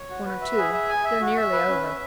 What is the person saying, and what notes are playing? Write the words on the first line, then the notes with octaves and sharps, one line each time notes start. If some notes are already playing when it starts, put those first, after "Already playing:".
"One or two; they're nearly over."
Already playing: C#5
F#4
B4
E5
G#4
E5
G#5
E5
F#4
E5
B4
C#4
E5